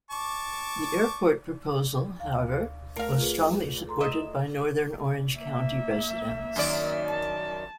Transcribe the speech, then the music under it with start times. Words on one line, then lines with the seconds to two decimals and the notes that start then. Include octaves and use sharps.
The airport proposal, however, was strongly supported by Northern Orange County residents.
0.11 A5 C#6 D6
2.20 D2 F5
2.96 A3 A#4 F5
3.18 F4 G#4 B4
3.87 A4 A#5 C6
4.01 D#5 E5
5.36 A#3 E5
6.56 F#2 D#3 D5
7.07 A5